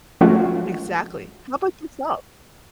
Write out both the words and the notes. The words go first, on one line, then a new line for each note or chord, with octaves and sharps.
Exactly. How about yourself?
F3 G#3 A3 C#4 F4 F#4